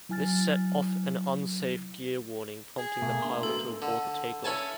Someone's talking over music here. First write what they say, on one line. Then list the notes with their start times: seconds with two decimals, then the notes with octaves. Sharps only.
This set off an "unsafe gear" warning, prompting the pilot to abort the takeoff.
0.09 F#3 E4 G#5 F6 A6
2.78 G#4
3.02 B2 A3 A#3
3.22 D4 C6
3.43 B2 A4
3.82 D3
4.44 C#4 E4 A4 G#5 A5